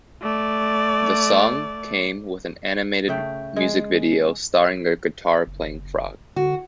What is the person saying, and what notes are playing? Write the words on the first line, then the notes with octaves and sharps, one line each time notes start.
The song came with an animated music video starring a guitar playing frog.
A3 D5
C#3 A3 G5
G#3
F#1
D3 F#4